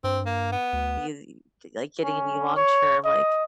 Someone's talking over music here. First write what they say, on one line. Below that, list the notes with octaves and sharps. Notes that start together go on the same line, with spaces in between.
be, like, getting any long term, like,
G2 C4
A#3
B3
D2
C#4
C#5
D#5